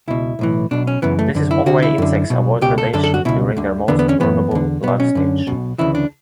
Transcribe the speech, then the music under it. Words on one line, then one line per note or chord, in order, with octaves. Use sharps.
This is one way insects avoid predation during their most vulnerable life stage.
C#2 B2 E4
B1 A2 E3
B1 B2 D4
C#4
F#2 C#3 E3 B3
A3
F#2 D3
E4
D2 D3 F#4
E4
F#2 D3
B1 B2
C#2 B2 G4
A4
F#2 D3 A4
A4
F#4
C#2 B2 E4
D2 D3
E2 D3 B3
B3
C#4
F#2 E3 B3
E2 D3
B1 B2 B3
C#4
F#2 D3
B1 B2
D2 C#3 E3 E4
D4